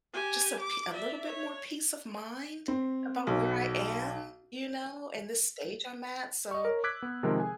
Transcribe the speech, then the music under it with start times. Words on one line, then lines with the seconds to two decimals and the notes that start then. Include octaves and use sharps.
just a p a little bit more peace of mind about where I am, you know, in this stage I'm at, so,
0.13 G4 G#5
0.60 D6
0.91 D5 E5
1.26 C#5
2.68 C4
3.27 B1
6.51 D#5 C#6
6.65 A#4 C#5
6.84 D6 E6 F#6 G#6 B6 D7
7.02 B3
7.23 C3 D#3 F3 G#3 A#4
7.40 G#4 G#5